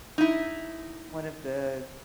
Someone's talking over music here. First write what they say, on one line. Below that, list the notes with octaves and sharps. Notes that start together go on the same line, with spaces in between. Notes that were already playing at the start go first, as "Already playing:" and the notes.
one of the,
D#4 E4